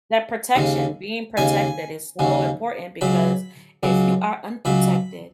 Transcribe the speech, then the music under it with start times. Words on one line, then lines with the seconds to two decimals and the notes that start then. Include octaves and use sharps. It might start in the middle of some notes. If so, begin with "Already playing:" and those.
That protection, being protected is so important, because if you are unprotected,
0.56 D#2 C#3 G#3
1.37 D#2 C#3 G#3 G#5
2.19 D#2 C#3 G#3
3.01 C#2 C#3 F#3 B5
3.83 C#2 C#3 F#3
4.65 C#2 C#3 F#3 B5